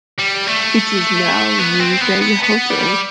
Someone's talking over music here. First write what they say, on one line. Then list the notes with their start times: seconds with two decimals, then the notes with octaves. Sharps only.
It is now used as a hotel.
0.18 G3
0.47 A3
1.59 B3
1.79 C4
2.01 B3
2.21 B3
2.43 B3
2.70 G3